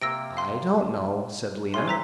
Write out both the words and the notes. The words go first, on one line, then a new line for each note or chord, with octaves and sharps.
"I don't know," said Lena.
C3 A#3 E6 A#6 D7
F5 C6
A2 F4 G#5 C6
E3 C4 C5 A#5 B6